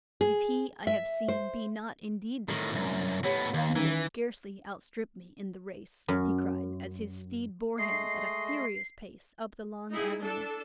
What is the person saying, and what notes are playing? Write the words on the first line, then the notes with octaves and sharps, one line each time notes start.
"If he I have seen be not indeed the fiend, he will scarcely outstrip me in the race," he cried, as his steed bore him at a furious pace up the long avenue.
G#4
E5
C5
A2 D#3
C2 F#2
A2 B3 G4 C#5
D#2 D#3 F5
D#3 E3 C#4 D#4
F#2
G#3 A3 D#5 C7
D#4 E4 G#4
D4 A4 A5